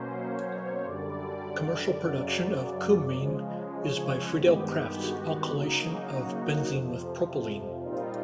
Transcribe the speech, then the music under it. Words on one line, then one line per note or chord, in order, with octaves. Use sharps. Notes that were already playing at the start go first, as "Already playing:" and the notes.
Commercial production of cumene is by Friedel-Crafts alkylation of benzene with propylene.
Already playing: B2 F#3 A#3 C#4 C5
C#5
F#2 D3 G3 D5
D5
F#2 C#3 F#3
C#3 F3 G#3
C#5
G2 D#3 G#3 B3 G4
F#4
C#3 F#3 A#3 D#4
F#4
F2 C3 F3
A#2 G3 C4 D#4 F4